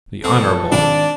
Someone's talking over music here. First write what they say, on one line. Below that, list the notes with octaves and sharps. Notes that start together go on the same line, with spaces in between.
The Hon.
F2 C4 A4
G#1 D4 D5